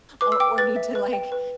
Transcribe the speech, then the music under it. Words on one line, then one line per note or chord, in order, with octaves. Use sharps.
or need to, like,
B4 D6
E6
G5 D6
B4 A6
E5
B4
G5
B4